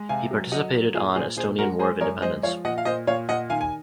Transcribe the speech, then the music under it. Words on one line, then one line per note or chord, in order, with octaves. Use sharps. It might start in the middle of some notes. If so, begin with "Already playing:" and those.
He participated on Estonian War of Independence.
Already playing: G#3
C3 F5 G#5
F#3
F#3 D#5 F#5
F#3
A#2 F4 G#4
A#2 G#4 C5
A#2 G#4 C5
G#3 F#4 A#4
G#3 G#4 C5
F#2 A#4 C#5
G#3 C5 D#5
F3 C#5 F5
A#2 D#5 F#5
F5
A#2 C5 D#5
A#2 C#5 F5
A#2 D#5 F#5
D#3 F5 G#5
G#5